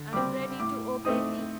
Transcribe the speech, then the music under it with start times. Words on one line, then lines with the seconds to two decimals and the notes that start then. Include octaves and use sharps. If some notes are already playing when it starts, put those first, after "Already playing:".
I am ready to obey thee.
Already playing: D3
0.13 G3 C4 D6
0.59 A2 D6
1.05 A3 C4 D#4 D#6